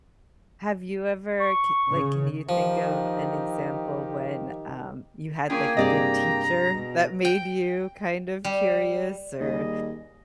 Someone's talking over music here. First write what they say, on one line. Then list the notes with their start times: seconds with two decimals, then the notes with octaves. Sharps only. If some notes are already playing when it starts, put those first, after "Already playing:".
Have you ever k like, can you think of an example when, um, you had, like, a good teacher that made you kind of curious or,
1.40 C#6
1.90 C#3
2.49 D#3 F3 D#4 G4
5.50 A#3 C#4 D4 F4 G#4 G5
5.77 G2 C3 G#4 D5 D#5 A#5
6.67 B2
7.25 G5
8.44 G3
9.40 D#2 G3 G#4 D#5